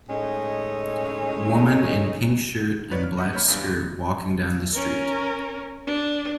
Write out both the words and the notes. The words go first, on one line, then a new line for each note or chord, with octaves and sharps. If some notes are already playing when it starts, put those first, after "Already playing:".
Woman in pink shirt and black skirt walking down the street.
A2 G#3 C#4 D#4
D#4 F4 B4 C#5 D5
F6
D#5 F#5 B5 G6
A#3 C#5 B5
A1 E2 E3 G3 D4 F5
A1 G3
C#4 A#4
D4